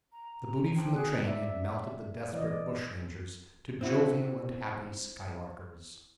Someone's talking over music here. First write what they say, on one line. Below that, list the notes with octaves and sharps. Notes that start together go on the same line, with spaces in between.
The booty from the train had melted the desperate bushrangers to jovial and happy skylarkers.
A#5
C5 G5 A5
F#4 G#4 F#6
D5 E5
E3 D5 D#5
C4 E4 F#4